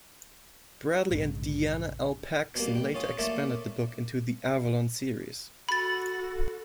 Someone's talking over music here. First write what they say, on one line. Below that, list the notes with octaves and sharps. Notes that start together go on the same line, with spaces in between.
Bradley and Diana L. Paxson later expanded the book into the "Avalon" series.
A#1 F2 G#2 C#3
B2 G3 A#3
G5
C#4 F4 D#6
A3 A#3 D5 E5
F#4 A4 B5 A6